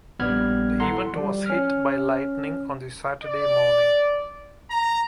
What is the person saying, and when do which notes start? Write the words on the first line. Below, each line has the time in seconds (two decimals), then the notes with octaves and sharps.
The event was hit by lightning on the Saturday morning.
0.19 A#1 G3 B3 B5 F6 G#6
0.80 E4 A4 F#5 A#5 C6
1.13 F3 G3
1.46 C#4 F6
3.23 D5
4.70 A#5